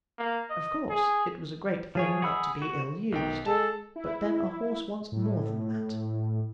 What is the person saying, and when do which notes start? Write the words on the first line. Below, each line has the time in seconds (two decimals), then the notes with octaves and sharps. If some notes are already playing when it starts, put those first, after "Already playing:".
Of course, it was a great thing not to be ill-used, but then a horse wants more than that.
0.18 A#3
0.50 D#5
0.90 G#4
1.95 F3 G#4 C#5
2.22 G#4 F#5 B5 E6
2.62 F#4
3.12 B1 D#3 G5
3.46 G#3 A4 A5
3.96 E4
5.12 A2